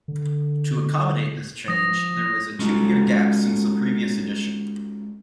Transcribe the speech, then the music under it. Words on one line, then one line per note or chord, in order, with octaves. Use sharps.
To accommodate this change, there was a two-year gap since the previous edition.
D3
F3 D#6 A#6
G#3 C#4 D#4 F4 F#4 A4